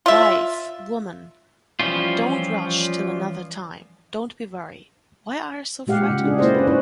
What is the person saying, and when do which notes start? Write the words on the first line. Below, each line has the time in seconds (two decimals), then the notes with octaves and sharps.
Wife/Woman, don’t rush till another time, don’t be worry, why are so frightened?
0.06 F4 E5
1.80 E3 F3 G3 C#4 F4
5.87 A#2 G#3 G4 F5 F#5
6.10 C#3
6.24 D4 G4 G#4
6.38 A#3 E4 G4 C5 D5 D#5
6.55 C#4 B4
6.67 C#4 D#4 E4 B4 C5